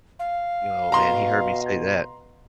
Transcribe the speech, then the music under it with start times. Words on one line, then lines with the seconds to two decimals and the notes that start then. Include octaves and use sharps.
Y oh man, he heard me say that.
0.19 F5
0.92 B2 A#5 C6